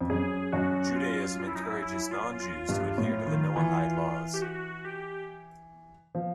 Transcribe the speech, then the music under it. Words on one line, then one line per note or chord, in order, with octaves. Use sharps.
Judaism encourages non-Jews to adhere to the Noahide Laws.
F2
F#2 G#4
F#2 F#4
F#4
F4
F4
E4
D#4
E4
E4
F4
F4
G2
A2
D#3
E3
G4
F#4
G4
F3